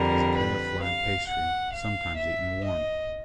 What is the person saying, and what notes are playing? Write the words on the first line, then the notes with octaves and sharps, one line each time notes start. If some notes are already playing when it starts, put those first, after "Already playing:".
It is a kind of flan pastry, sometimes eaten warm.
Already playing: F2 D3 G3 A#4
B4
F5
F#5
F5
E5
D#5